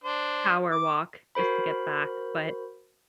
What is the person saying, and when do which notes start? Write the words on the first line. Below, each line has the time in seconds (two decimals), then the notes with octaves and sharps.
power walk, just to get back, but,
0.04 D4 C5
0.72 D6
1.35 F#4 A#4 C5 B5